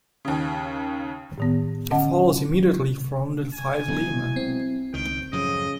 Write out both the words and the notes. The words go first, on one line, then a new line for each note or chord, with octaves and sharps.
It follows immediately from the five lemma.
D#2 C#3
A2 D#3 B3
D3 C#4 D#5 F#5 A5
G#5
B2 F#3 G#3 E4
C4
C#2 D#3 G5
F#2 A2 C#3 F3 D#5